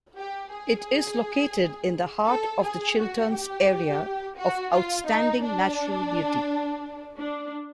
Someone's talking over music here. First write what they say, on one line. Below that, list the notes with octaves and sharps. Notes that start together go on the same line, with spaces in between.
It is located in the heart of The Chilterns Area of Outstanding Natural Beauty.
G4
G#4
A4
G#4
F#4
G4
F#4
F4
D#4
D4
D4